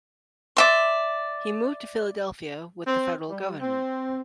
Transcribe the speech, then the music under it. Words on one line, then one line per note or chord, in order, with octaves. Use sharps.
He moved to Philadelphia with the Federal Government.
D5 E5 C6
C4
G3
C4